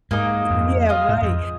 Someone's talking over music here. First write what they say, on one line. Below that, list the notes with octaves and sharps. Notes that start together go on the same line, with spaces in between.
yeah, right.
G#2 A#3 D#4 G#4 D#5
F2
F4 G#4 D#5
G#2
F2